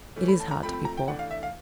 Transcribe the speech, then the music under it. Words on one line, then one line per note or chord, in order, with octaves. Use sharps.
It is hard to be poor.
E3 A3 C#4
B5
A5
A#5
F3 A3 C4 B5
B5
A#5
G5
E3 A3 D4 F#5
F5
E5
F5